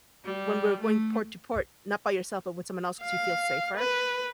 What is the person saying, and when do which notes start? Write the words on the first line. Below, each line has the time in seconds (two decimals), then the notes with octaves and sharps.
when we're going port to port, not by yourself, but with someone else 'cause you feel safer,
0.24 G3
0.81 A3
3.03 F5
3.77 B4